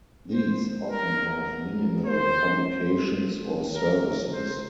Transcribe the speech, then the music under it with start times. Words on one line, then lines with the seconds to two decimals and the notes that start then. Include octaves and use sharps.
These often have minimal publications or services.
0.34 C5
0.91 A#4
2.05 C5
3.75 A#4
4.33 C5